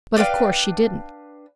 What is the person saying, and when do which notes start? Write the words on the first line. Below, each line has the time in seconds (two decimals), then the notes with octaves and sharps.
But of course she didn't.
0.16 D4 B4 F5 G5